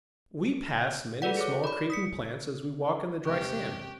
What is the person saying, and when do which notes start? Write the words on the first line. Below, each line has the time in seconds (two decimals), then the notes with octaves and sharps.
We pass many small creeping plants as we walk in the dry sand.
1.22 F#4 A4 B4 D5 F#5
1.37 G#4 A4 C#5 D6
1.64 D5 B5
1.90 D#6 B6 C#7
3.25 E1 C3 G4 D#5 C#6 F#6